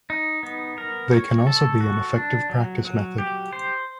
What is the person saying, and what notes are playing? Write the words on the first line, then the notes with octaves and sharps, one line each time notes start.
They can also be an effective practice method.
D#4
B3
A#4
C#5
A4
F#4
D4
F#3
F#3
G4
C5